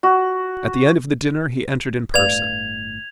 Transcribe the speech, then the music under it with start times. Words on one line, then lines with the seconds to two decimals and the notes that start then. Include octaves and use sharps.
At the end of the dinner he entered in person.
0.03 F#4
2.14 G1 A2 B4 D5 F5 G#6 F7